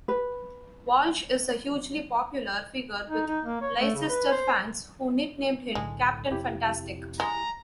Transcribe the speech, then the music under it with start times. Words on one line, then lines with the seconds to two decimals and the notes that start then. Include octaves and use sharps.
Walsh is a hugely popular figure with Leicester fans, who nicknamed him "Captain Fantastic".
0.08 B4
3.08 D#4
3.27 D#4
3.45 A#3
3.61 C#5
3.80 A3
3.95 C#3
4.08 B4
4.31 C5
5.75 B1 A2 D3 G#3
6.31 F2 C3 E4 G4
7.20 G#3 A#5